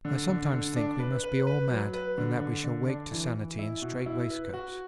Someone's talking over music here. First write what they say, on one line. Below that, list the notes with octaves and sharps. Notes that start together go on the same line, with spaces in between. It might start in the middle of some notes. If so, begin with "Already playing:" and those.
I sometimes think we must be all mad and that we shall wake to sanity in strait-waistcoats.
D3
D3
D3
D4
B4
B4
B4
F#3
B4
D3
D3
D3
D4
E3
E3
E4
B2
E4
B4
F#4